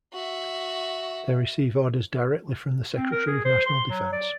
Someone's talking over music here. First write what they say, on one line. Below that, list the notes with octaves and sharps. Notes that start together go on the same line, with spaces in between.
They receive orders directly from the Secretary of National Defense.
F#4 E5
C4
A#4
G#4
C5
C6
F#3
D5